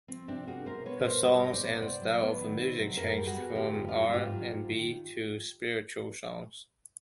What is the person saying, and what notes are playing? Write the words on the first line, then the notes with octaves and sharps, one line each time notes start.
Her songs and style of music changed from R and B to spiritual songs.
F3 C4
C3 C4 D4
A#3 F#4 G#4
B2 A#4 C5
B3 B4 C#5
B4
B2 A#4 C5
G3 C5 D5
B2 D#5
C5 D5
B3
C3 C5 D5
F#3
B3
D#3
C3
F#3
F#2 G#4 A#4
G3
F#4 G#4
B3
D3 F4 G4
F#2
F4
G3
F#4
G#2 F4 G4
F#3
G#2
D#3